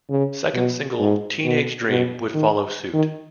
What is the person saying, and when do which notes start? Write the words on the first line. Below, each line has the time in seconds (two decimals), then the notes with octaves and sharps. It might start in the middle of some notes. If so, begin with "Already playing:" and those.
Second single "Teenage Dream" would follow suit.
0.10 C#3
0.54 B2
0.99 G#2
1.45 B2
1.89 B2
2.34 D#3
2.93 D#3